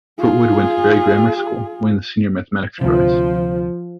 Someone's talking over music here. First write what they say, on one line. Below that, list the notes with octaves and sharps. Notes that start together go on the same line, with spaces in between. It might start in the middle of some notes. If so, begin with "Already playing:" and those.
Foote Wood went to Bury Grammar School, winning the Senior Mathematics prize.
F4 G#4
D2 C3 F3